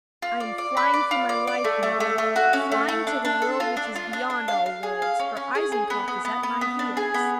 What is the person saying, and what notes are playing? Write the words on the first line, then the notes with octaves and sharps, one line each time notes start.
'I am flying for my life, mother, flying to the world which is beyond all worlds; for Eisenkopf is at my heels.'
F4
D5
D5
B4
D5
F4
D5
D5
A3
A3
A3
A3
F#4
C#4
A3
A3
D4
D4
A4
F4
D4
F4
D4
D4
F5
F5
G#4
F5
C#4
C#4
G#4
G#4
B3
B3
B3
B3
B3
D4
G#4
B3